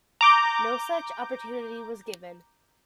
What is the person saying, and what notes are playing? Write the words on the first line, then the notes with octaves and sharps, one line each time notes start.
No such opportunity was given.
A#5 D6 G6